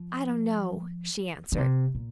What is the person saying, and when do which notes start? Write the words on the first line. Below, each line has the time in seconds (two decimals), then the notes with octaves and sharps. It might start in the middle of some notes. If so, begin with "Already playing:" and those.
"I don't know," she answered.
Already playing: F3
1.52 D#3
1.58 C3
1.95 A#2